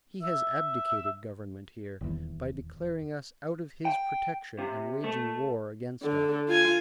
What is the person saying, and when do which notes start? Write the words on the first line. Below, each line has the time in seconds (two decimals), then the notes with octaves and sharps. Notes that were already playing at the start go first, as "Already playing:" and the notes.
He has abdicated Government here, by declaring us out of his Protection and waging War against us.
0.23 E5
2.01 D#1 E2
3.85 G5
4.58 C3
5.04 A3
6.03 D3
6.48 F4 G#5